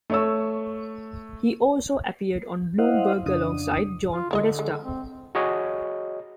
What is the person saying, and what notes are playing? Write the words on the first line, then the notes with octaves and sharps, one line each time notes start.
He also appeared on Bloomberg alongside John Podesta.
A3 C#5 E6
E4 C5 D#5 F5 F#5
F2 C#3 D4 D#6
F4
D3 E4 C#5 D#5
G#3
C4
F#4 G#4 C#5 D#5